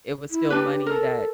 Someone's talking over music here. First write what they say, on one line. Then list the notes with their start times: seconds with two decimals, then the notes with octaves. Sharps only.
it was still money that
0.30 E4
0.50 D4 G4 B4
0.86 A4 A#4